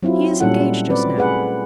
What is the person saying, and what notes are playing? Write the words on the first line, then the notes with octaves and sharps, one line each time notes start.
He is engaged just now.
F#3 C4 E4 F4
A#2 G3 C#4 A4 F#5
C4 B4 D5
A3 G#4 B4 F#5